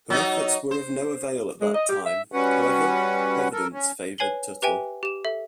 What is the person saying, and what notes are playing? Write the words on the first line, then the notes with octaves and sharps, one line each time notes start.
Her efforts were of no avail at that time; however, providence favored Tuttle.
F#3 D#4
C5
G#3
D#5
G4
E5
G3 C#4 F#4 B4 F#5
A4 A#4
C#4
B4 C#5 G#5 C7 F#7 G7
G4 B4 E5 G5 G#5
G4 E7
A4 E5